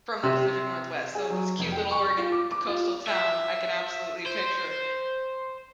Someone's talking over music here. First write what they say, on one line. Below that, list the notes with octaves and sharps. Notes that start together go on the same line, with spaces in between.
from the Pacific Northwest. So this cute little Oregon coastal town, I can absolutely picture
C3
G#4
F#3
F1
G5
C#6
C#6
F4
D6
D6
F4
E5
C5